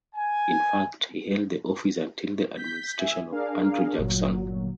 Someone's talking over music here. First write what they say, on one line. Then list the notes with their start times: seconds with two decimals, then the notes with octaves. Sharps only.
In fact, he held the office until the administration of Andrew Jackson.
0.15 G#5
2.57 G6 B6
2.99 E5 G#5
3.32 D4 G#4 A#4 F5
3.98 G1 A#2 F#3